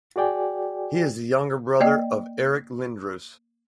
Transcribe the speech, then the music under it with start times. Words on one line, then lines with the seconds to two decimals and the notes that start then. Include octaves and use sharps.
He is the younger brother of Eric Lindros.
0.16 F#4 G#4 D5 G5 G#5
1.80 A#3 D5 D#5 G5